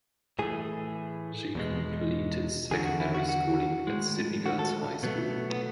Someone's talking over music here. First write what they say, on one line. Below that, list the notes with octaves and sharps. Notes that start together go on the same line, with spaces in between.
She completed secondary schooling at Sydney Girls High School.
A2 E3 A3 G#4
E2 B2 G#3
E2 D3 F#3 G#4
F#4
E4
F#4
F#4
A2 G#3
F#4
A4
B2 F#3 A3 B3
B3